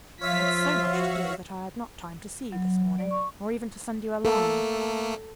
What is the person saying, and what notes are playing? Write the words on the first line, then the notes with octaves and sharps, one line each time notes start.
I had so much to do that I had not time to see you this morning, nor even to send you a line.
F3 F4 C#5 E5 F5 B6
F#4
F#3
D5
C#6
A3 A#3 A4